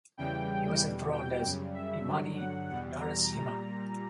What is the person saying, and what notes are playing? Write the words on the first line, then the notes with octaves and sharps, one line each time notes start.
He was enthroned as Immadi Narasimha.
E2 C#3 E3 G3 G5
E2 B2 G3
G5
F#2 C#3 G3
E5
G2 D3 F#3
F#5
E2 B2 G3 F#5
A#5
A#2 G3 A#5